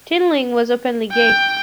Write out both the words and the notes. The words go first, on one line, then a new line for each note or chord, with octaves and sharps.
Tinling was openly gay.
G5